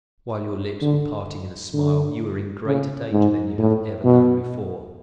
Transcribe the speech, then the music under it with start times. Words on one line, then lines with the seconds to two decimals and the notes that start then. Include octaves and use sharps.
While your lips were parting in a smile, you were in greater danger than you have ever known before.
0.82 D3
1.74 D3
2.66 C#3
3.12 G#2
3.58 A2
4.05 B2